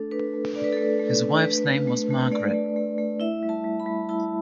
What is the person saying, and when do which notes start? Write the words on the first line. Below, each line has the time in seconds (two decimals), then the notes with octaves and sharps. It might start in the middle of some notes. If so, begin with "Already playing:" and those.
His wife's name was Margaret.
Already playing: A3 D4 A4
0.11 D4 B4
0.33 A3
0.55 D4 D5
0.64 B4
0.73 A4
0.77 A3
0.82 B4
0.99 A3
1.22 D4
1.44 A3 B4
1.66 A3
1.87 A3
2.10 A3
2.31 A3 D5
2.54 A3
2.76 A3
2.98 A3
3.20 E4 E5
3.43 G3
3.49 A5
3.64 G3
3.80 B5
3.86 G3
4.09 E4 A5